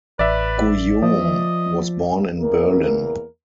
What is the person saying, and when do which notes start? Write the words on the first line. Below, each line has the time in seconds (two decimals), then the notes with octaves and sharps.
Guillaume was born in Berlin.
0.19 A1 B4 D5 E5
1.02 F3 D#5
2.38 E2 A#3 A#4